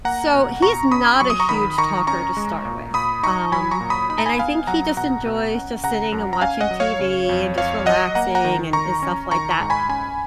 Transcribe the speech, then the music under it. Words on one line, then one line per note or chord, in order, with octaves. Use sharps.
So, he's not a huge talker to start with, um, and I think he just enjoys just sitting and watching TV and just relaxing and and stuff like that,
A#3 F#5 A#5
B2
B2 A#5 C#6
C#4 B5 D#6
F#3 C#6
D#6
A#5 C#6
D#3 B5 D#6
D#3 A#5 C#6
C#4 A#5 C#6
G#3
A#2
A#2 B5 D#6
D#4 A#5 C#6
F#3 G#5 B5
A#5 C#6
A#2
B5 D#6
D#4 B5
A#5
G#5 B5
B3 F5 G#5
F#3 F#5 A#5
B2 F#5 A#5
B2
C#4
C#3 F#5 A#5
F#2
A#5
C#4 F5 G#5
D#5 F#5
F#3
C#5 F5
C#3
F2
F2 C#5 F5
F#3 D#5 F#5
A#3 F#5 A#5
F#5 A#5
D#3
D#3 A#5 C#6
C#4
D#3 A#5 C#6
A#5 C#6
G#2
G#5 B5
C#4 G#5 B5